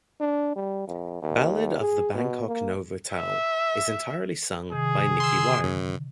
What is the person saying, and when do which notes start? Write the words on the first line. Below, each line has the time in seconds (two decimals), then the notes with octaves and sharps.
"Ballad of the Bangkok Novotel" is entirely sung by Nicky Wire.
0.20 D4
0.56 G3
0.87 F2
1.22 D#2
1.81 G#4
2.15 B2
2.47 A#3
3.15 E5
4.72 C3 D#3 G#4
5.20 D3 C6 E6
5.64 F#2